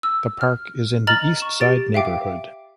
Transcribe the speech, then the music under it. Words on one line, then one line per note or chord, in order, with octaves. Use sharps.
The park is in the East Side neighborhood.
E6
F6
D#5 A#5 F6 A6 F#7
C#6 E7
G4 A6 D7
E5 F5 G5 D6